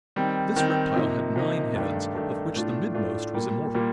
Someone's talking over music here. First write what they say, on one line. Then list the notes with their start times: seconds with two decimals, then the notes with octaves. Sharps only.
This reptile had nine heads of which the midmost was immortal.
0.16 D#3 G3 C4
0.56 D#3 G3 C4
0.96 C3 F3 A#3 D#4
1.36 C3 F3 A#3 D#4
1.75 G2 D#3 A3 D4
2.15 G2 D#3 A3 D4
2.55 A2 A3 D4 F4
2.94 A2 A3 D4 F4
3.34 A#2 G3 A#3
3.74 A#2 G3 A#3